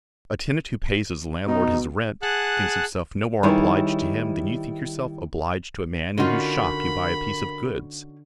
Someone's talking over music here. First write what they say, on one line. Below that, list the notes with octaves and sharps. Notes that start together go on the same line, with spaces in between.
A tenant who pays his landlord his rent, thinks himself no more obliged to him than you think yourself obliged to a man in whose shop you buy a piece of goods.
B2 D#4
G#4 F#5 A5 F#6
D#3 G3 E4 G#4 B4 C#5
D3 C#4 D#4 F4 F#4 A#4 B5